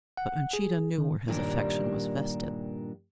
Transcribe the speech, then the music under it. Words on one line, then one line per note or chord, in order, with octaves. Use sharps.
But Uncheedah knew where his affection was vested.
F#5
G#4
D#3
G2 A#2 D#3 G3 D4 A#4